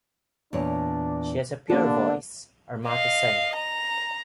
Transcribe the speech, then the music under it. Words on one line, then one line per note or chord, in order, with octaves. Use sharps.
"She has a pure voice," Armato said.
E2 A#2 D4 C#5
D3 A#3 B3 D4 G4
D#5 F5
A#5